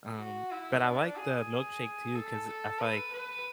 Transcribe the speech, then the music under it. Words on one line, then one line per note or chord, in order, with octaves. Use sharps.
um, but I like the Milkshake too 'cause I feel like
F#4
E4
D4
G#4
A4
A4
B4
B4